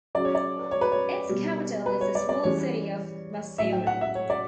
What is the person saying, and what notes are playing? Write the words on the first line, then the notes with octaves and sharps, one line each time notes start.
Its capital is the small city of Maseru.
C#3 F#3 D5
C#5
D5
C#5
B4
C#5
B2 G3
B4
C#5
D5
D5
C#3 E3 G3 C#5
A2 F#3 E5
G5
F#5
E5
C#5
D5